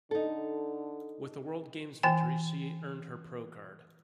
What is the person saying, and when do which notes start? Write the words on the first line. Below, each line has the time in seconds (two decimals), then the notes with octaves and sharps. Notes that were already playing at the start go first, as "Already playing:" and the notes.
With the World Games victory she earned her pro card.
0.11 D3 D#4 A4
2.03 E3 G5 G#5